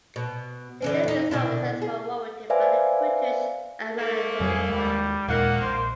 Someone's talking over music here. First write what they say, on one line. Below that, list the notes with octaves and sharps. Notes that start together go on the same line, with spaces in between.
Later these officers were "warranted" by the British Admiralty.
B2
D3 E3 C#4
E2 D#4
B2 D3 E4
G#4
B4 C5 D5 E5 F5 G#5
G#2 A3 A#3
F2 F#3 G3 G#4
D#2 G3 G#3
D#2 A#2 D#3 G#3 A#3 F#5
A#1 C5